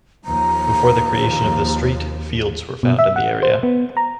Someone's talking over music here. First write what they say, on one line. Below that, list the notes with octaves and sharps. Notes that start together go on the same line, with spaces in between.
Before the creation of the street fields were found in the area.
D#2 F3 A#5
B2
E5
F#5
C5
B3
A#5